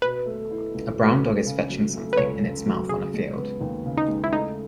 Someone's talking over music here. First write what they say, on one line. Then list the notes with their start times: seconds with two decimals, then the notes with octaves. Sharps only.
A brown dog is fetching something in its mouth on a field.
0.02 B2 B4
0.26 A3
0.51 E4
0.74 C#2
0.98 B2
1.23 A3
1.46 C#3
1.70 F#3
1.94 A3
2.13 B4
2.17 C#2 C#5
2.42 C#3
2.66 F#3
2.89 C#3 G#4
3.14 G#3
3.37 B3
3.61 D#2
3.85 C#3
3.97 D#4
4.08 G#3
4.24 E4
4.33 A3 D#4